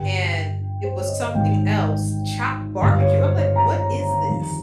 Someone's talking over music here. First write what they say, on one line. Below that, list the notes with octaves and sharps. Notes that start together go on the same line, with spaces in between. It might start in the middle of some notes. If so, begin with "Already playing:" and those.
and it was something else, chopped barbecue, I'm like, "What is this?"
Already playing: G1 G2 G3 G5
C5
C#5
D#5
F5
G#1 G#2 G3 G5
G1 G2 G3 F5
C#5
C5
C#5
A#5
F2 D#3 G3